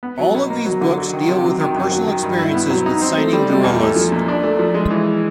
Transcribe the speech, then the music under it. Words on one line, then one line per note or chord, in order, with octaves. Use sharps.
All of these books deal with her personal experiences with signing gorillas.
B3
F#3
B2
A#3
F#3
D3
F#3
D#3
C3
F#3
D#3
F#2
F#3
D#3
G2
E4
B3
F#3
D#4
C4
A3
G3
B2
E2
A3
F3
A#2
D4
A3
F3
G#3
E3